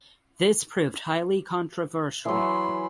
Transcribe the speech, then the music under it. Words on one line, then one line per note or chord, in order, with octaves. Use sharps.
This proved highly controversial.
E3 F#3 B5 C6